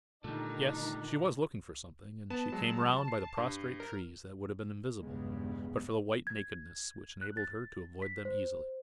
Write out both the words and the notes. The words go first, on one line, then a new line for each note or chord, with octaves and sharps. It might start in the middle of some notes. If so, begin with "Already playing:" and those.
Yes, she was looking for something; and she came round by the prostrate trees that would have been invisible but for the white nakedness which enabled her to avoid them easily.
A#2 D3 D#3 G3 A3 D4 D#4
B3 A5
F#3 G#3
C7
G2
A#4
B1 E2 G2 C#3 G#3 B3
G#6
F#6
A6
B6
C5